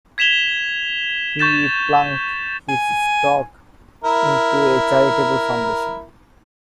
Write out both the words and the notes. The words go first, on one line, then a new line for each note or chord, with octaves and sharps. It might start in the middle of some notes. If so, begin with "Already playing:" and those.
He plunked his stock into a charitable foundation.
G#6 B6 E7 F7 G7
C#6 G6 A6 E7
G#5
E4 A#4